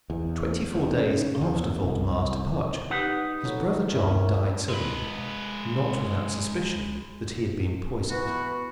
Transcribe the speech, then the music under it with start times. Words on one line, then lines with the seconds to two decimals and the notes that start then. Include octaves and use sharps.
Twenty-four days after Voldemar's departure his brother John died suddenly, not without suspicion that he had been poisoned.
0.10 E2
0.75 E2
0.95 C#3
1.41 E2
1.84 C2
2.90 D#4 G4 B4 F#5
3.45 F#3 A4
3.91 G2 C#4 E4 A#4
4.69 G#3 B4
8.09 E3 B3 F#4 B4